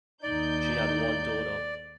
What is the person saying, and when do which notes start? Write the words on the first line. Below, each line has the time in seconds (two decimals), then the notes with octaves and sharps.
She had one daughter.
0.23 D#2 D#4 D5 G6